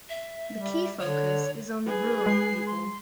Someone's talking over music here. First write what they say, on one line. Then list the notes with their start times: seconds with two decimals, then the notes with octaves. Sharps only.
The key focus is on the rural people.
0.10 E5
0.57 G3
0.99 D3 C#5
1.86 G#4 B4
2.26 G#3 C7
2.67 C6